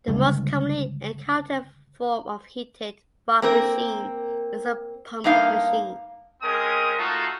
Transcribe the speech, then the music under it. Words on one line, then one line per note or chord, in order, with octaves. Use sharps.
The most commonly encountered form of heated fog machine is the pump machine.
G1 C#2 G2
A#3 C4 A#4
G2 A#3 D#4 F5
G#3 C4 C#4 A#4 D#6
A3 D#4 F4 F#4 A4